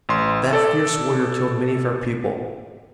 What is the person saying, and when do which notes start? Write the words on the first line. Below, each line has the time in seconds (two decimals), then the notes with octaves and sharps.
That fierce warrior killed many of our people.
0.09 A1 C6
0.53 A4 D5